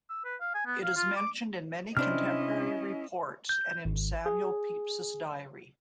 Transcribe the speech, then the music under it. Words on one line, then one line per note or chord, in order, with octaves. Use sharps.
It is mentioned in many contemporary reports and in Samuel Pepys's diary.
E6
B4
F5
G#5
B3
F5
F4
D6
C3 C#4 D4 E4 C5 D#5 F6
G6
G#1
G#4